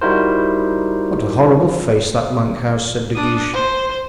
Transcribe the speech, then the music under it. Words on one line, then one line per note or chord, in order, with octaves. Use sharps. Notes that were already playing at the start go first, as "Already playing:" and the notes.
"What a horrible face that monk has," said De Guiche.
G3 D#4 E4 F#4 A#4 C5
D4 D#6
C5